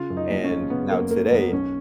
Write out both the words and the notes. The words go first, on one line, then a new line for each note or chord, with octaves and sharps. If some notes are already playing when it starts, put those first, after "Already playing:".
And now today,
Already playing: C#3 F4
F#2
D#4
F#1
C#4
F#1
C#3 B3
F#2 A#3
F#1 A#3
F#1 B3
B1 C#4